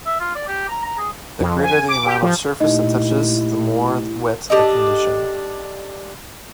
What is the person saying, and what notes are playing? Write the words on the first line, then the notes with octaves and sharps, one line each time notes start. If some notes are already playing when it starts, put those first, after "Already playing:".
The greater the amount of surface that touches the more wet the condition.
E5
F4
D5
G4
A#5
A#5
G#4
F2
G#5
D6
G4
F3
A#2 A3 D#4 E4 G4 D#5
D4 G4 A4 D#5